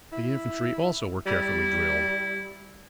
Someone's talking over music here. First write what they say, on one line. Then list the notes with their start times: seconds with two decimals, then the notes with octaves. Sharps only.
The infantry also were carefully drilled.
0.12 E4
1.26 G3 E4